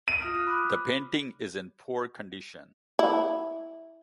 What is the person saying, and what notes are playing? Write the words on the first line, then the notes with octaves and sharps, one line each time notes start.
The painting is in poor condition.
D#7
F4 D#6 F6
F6 F#6
B5 D6 F#6
E4